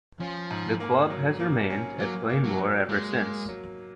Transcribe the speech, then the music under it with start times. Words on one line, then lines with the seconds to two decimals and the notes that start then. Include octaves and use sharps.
The club has remained at Plainmoor ever since.
0.20 F3 C#4
0.51 G#2
0.80 A#3
1.10 F#3
1.40 A#3
1.70 C#4
1.99 F#3 A#3
2.29 A#3
2.44 F#3
2.59 F#3
2.89 G#3 A#3
3.18 A#3
3.49 F#3